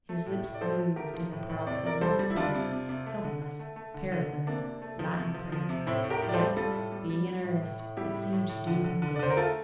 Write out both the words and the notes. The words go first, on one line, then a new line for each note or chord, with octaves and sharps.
His lips moved in a paroxysm of prayer--helpless, parrot-learnt, Latin prayer; yet, being in earnest, it seemed to do him good.
A3
A2
A2
D5
F3 A4 C5
A3
A3 G4 A#4
F3
A2
A2
C3 D5
C3 A#4 D5
G3 A4 C5
G3
E4
G3 D4 F4
C3
C3
C3
A3
D3
D3
A3
A3
D3
D3
D3
C3 A#3 D4
C3
A3
F3
C3
F3
F3
C3
A2 C4 E4
A2
G4 A#4
A2
D5
A4 C5
G3
G3 F4 A4
A2
G3
G3
G3
A2
A2
A2
G3 E4 G4
A2
A2
A2
D3
D3
D3
D5
D3 C5
A#4
A3 F4 A4